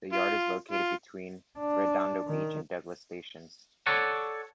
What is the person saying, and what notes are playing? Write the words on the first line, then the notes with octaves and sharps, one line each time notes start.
The Yard is located between Redondo Beach and Douglas stations.
F4
F4
D4
D#3
A4 C#5 D5 F#5